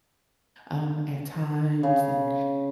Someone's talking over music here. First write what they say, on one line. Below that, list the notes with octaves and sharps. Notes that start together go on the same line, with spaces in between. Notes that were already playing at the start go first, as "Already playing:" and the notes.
um, at times, and
C#3